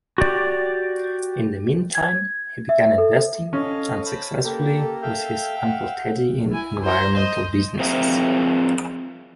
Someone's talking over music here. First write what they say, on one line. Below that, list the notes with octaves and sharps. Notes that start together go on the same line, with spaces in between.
In the meantime, he began investing, unsuccessfully, with his uncle Teddy in environmental businesses.
F#4 G4 D5
G#6
E5
A4
C#4 A4 D#5 F5
C5 A5 B5
A#3 G4 A4
A4 E5 F5 G5
F#5
E4 G#5
C5 A#5
C5 D#5
F3 C4 G#4 A#4 E5 F5